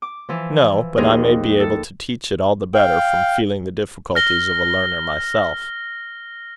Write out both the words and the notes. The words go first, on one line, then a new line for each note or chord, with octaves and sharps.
"No; but I may be able to teach it all the better from feeling the difficulties of a learner myself."
D6
E3 F3
D#2 F3 D#4 F4 G#4 A#4
A4
F5 G5
F6 A#6 G7